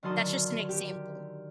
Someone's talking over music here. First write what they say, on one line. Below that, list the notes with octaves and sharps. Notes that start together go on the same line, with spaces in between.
That's just an example.
D3 D#3 F#3 A5 C6 D#6
G4